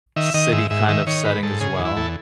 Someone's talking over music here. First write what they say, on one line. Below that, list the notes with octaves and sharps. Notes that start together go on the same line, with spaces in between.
city kind of setting as well,
D#3 E5
D#3 D#5
G#2 E5
G#2 E5
D#3 E5
D#3 C#5
G#2 B4
G#2 A4
C#3 G#4
E2
E4
E2 A4